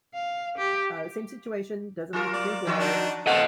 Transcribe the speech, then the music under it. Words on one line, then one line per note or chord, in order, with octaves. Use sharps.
uh, same situation, doesn't like to drink water.
F5
G4
F#3 F4 A#4
D5
D#3 F3 F#4
D4 D#4
A#3 C4 F4 A4 D#5 F#5